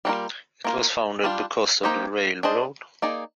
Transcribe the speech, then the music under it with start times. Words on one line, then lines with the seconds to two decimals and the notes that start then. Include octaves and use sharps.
It was founded because of the railroad.
0.05 G3 A#3 D4 F4 A#4
0.64 A#3 F4 A#4
1.24 G3 D4 F4
1.83 A#3 D#4 G4 C5 D#5
2.43 D4 G#4 C5 D#5
3.02 A#3 D#4 G#4 D5